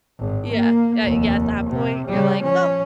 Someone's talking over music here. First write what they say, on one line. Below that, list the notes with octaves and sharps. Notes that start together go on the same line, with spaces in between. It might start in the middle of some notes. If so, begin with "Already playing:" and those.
Yeah. Yeah, yeah, at that point you're like, "Well,
G#1
A#3
F1 D#2
C3
C#3 G3
F3 C#4